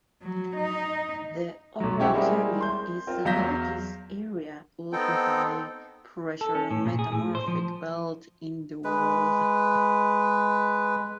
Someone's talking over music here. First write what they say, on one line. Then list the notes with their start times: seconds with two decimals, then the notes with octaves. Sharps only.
The orogeny is the largest area ultrahigh pressure metamorphic belt in the world.
0.22 F#3
0.57 D#4
1.80 B1 F#3
1.99 C#4 E4 G4 C5 E5 F#5
2.14 G3 G#3 A#3 C4 E4 G#4
2.61 C6 G6
3.07 C4 F4 A#4
3.25 E2 F#3 F5 G6 A#6 B6
4.93 B3 C4 D#4 A4 G5
6.41 A4
6.55 C#4
6.71 A2
6.86 A#2
6.99 G#4
7.12 A2
7.35 C5
7.48 F3
8.84 G#3 B4